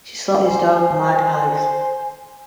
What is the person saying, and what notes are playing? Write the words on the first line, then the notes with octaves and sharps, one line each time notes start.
She saw his dark, mad eyes.
C5 G#5